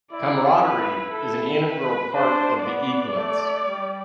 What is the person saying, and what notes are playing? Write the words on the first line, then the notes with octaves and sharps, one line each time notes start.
Camaraderie is an integral part of the eaglets.
E4 D5
E4 B4
A4
B4
D4 C5
B3 D5
A3
G3